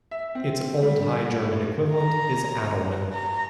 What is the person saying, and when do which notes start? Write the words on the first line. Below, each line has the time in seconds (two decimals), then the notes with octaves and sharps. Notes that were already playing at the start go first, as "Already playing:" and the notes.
Its Old High German equivalent is Adalwin.
0.11 E5
0.35 C4
0.82 G3
1.41 A2
1.93 A#5
3.13 A#5